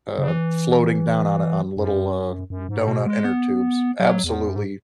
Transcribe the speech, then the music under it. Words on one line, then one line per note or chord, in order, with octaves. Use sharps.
uh, floating down on it, on little, uh, doughnut inner tubes, absolutely
C#3
E3
F#2
F#2
G#2
B2
G#3
B3
F#3
E2
F#2
G#2